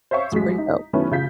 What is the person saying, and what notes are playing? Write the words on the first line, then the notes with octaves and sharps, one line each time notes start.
It's pretty dope.
C5 C#5 E5 F5 C#6
A1 F#3 G#3 B6
D#4
D#3 F#3 A3 B3 C#4 E4
A1 C#3 F4 G6 B6